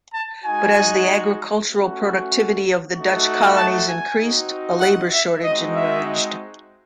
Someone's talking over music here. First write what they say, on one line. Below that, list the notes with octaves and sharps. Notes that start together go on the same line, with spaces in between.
But as the agricultural productivity of the Dutch colonies increased, a labor shortage emerged.
A5
G#3 D#4 F#4 G#5
A3 C#4 F#4
A3 D#4 F#4
A5
G#5
C4 D#4 F#4
F#5
E5
G#3 C4 D#4 F#4 D#5
E5